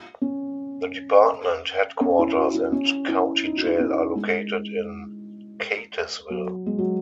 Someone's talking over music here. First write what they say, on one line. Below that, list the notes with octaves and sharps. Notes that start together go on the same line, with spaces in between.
The department headquarters and county jail are located in Keytesville.
C#4
C#4
E4
F#4
E4
C#4
E4
D#4
F#4
E4
D#4
C#4
G#3
F#3
G#3
F#3